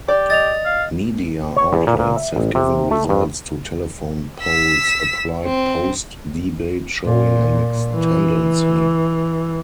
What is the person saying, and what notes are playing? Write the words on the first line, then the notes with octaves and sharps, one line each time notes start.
Media outlets have given results to telephone polls applied post-debate showing a mixed tendency.
G4 D5
D#5 A6 F7
F5
C#5
E2
A#2
A#2
E5
A1
C3
A3
G2
E6 B6
C4
A#2
E3